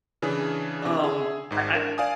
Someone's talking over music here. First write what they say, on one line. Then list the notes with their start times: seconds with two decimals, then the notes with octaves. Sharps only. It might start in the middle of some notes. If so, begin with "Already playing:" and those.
Um, I
0.22 C#3 E3 D4 G#4
0.82 C3 D4
0.99 G#4 E5
1.50 G#1 G#2
1.73 D4 A#4
1.98 D5 F5 G#5 D#6